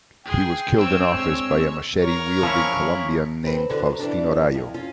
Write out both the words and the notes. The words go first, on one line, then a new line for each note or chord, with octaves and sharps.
He was killed in office by a machete-wielding Colombian named Faustino Rayo.
G#4 G5 C6
C4 C#5 E6
G#3 D4 C6
A#4 C#5
F3 C#4 E4
E2 C4 B4
D3 F#4 B4
F3 F#3
E3 G3 D4
F2
C#4 F4